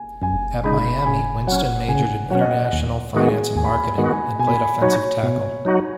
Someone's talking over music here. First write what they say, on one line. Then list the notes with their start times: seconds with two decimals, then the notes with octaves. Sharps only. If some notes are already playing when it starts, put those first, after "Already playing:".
At Miami, Winston majored in International Finance and Marketing and played offensive tackle.
Already playing: G#5
0.22 F#2 G#5
0.64 C#3 G#3 D#4 B5
0.98 B5
1.05 C#3 G#5
1.47 F#3 C#4 F#5
1.88 C#3 G#5
2.31 F#3 C#4 F#5
2.41 D#5
2.49 F#5
2.73 D#2
3.14 D#3 G#3 B3 F#4 G#4
3.55 D#2 G#5
3.64 B5
3.73 G#5
3.84 B5
3.98 D#3 G#3 B3 F#4
4.12 G#5
4.39 B2 G#5
4.47 B5
4.56 G#5
4.81 F#3 D#4 F#4 C#5
5.23 B2
5.65 F#3 D#4 F#4